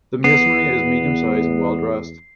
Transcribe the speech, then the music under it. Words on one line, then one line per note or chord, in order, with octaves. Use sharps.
The masonry is medium-size, and well-dressed.
E2 B3 C7